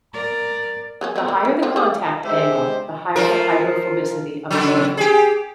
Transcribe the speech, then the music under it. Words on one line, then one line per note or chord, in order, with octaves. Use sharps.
The higher the contact angle the higher the hydrophobicity of a surface.
A#4 D5
F#3 A#3 C#4
B3 C4
A#3
F#3
D3 C4 F4
G3 G#4
D3 G#3 G4 C5 E5
F3 A#4
C#3 F#3
G4 G#4